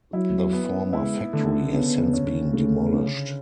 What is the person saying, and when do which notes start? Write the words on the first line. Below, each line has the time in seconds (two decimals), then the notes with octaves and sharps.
The former factory has since been demolished.
0.13 F#3 E4
0.53 B3
0.93 G#3 E4
1.33 D3 A3
1.73 C#3 B3
2.13 C#4
2.53 C#3 A3
2.93 C#3